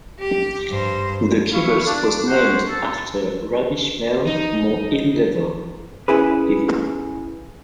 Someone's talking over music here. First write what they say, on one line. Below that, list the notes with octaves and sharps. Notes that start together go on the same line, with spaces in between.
The kibbutz was named after Rabbi Shmuel Mohilever.
G4
G2 C5
E4 F5 C#6
D4
G#3 C#4 F#4 C5 F#5
A4
D#4
C#4 E4 G#4 B4